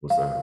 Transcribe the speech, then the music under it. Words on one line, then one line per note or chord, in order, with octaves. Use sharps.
What's that?
F5